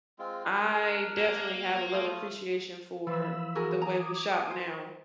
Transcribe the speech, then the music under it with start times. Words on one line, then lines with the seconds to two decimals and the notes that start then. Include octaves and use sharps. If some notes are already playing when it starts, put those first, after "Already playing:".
I definitely have a level appreciation for the way we shop now,
0.19 G#3 C4 F4
0.45 D4 A#4
1.18 A#3
1.92 A3 F4 D#6
3.07 E3 F3 F4 B5 E6
3.55 F#4 G#4 A#4
3.82 G#5 A#5 D6 D#6
4.51 C5